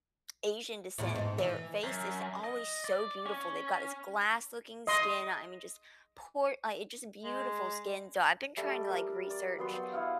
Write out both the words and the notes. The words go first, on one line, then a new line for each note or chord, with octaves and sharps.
Asian descent, their face is always so beautiful, they've got this glass-looking skin. I mean, just por uh, it's just beautiful skin, so I've been trying to, like, research,
E2 A2
G#2
E3
F#2
D#5
D5
C#4
D#5 C6
G#3
G3 A3 D5
A#4
D5
F#3 B3 C6
G5
E4 D#5 F5 F#5